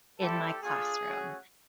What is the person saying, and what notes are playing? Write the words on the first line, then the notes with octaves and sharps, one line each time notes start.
in my classroom.
G3 C4 E4 G4 A4
A3 D4 F4 G#4
A3 C#4 F#4